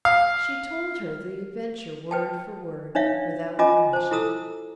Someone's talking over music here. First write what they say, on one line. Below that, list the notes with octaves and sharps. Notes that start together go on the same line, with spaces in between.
She told her the adventure word for word, without omission.
F5
B4 G5 A5
D4 D#4 C#5 E5 F5
C#4 F4 D#5 G#5 A#5 D6
C5 A5
E4 A4 A#5 D#6 E6